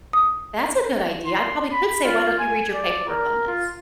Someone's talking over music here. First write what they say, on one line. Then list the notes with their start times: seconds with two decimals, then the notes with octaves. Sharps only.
That's a good idea, I probably could say, "Why don't you read your paperwork on this?"
0.13 D#6
1.26 C6
1.73 B5
2.04 F4
2.40 G#5
2.74 D5
3.08 A#4
3.47 F4